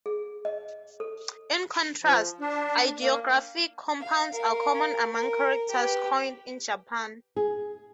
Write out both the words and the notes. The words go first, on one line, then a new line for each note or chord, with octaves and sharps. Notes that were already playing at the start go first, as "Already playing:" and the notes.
In contrast, ideographic compounds are common among characters coined in Japan.
G#4
D#5
A4
F3
D4
A#3
F5
A#4 F5
A#4
G4 B4
G#4